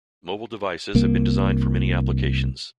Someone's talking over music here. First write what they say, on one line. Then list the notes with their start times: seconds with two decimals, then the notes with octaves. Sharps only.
Mobile devices have been designed for many applications.
0.95 C2 A#3